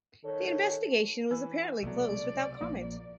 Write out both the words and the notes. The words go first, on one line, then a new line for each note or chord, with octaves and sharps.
The investigation was apparently closed without comment.
D#3 A4 C#5
E3 B4 E6
C2 B2 F#3 A3 D5
A#1 F3 A#3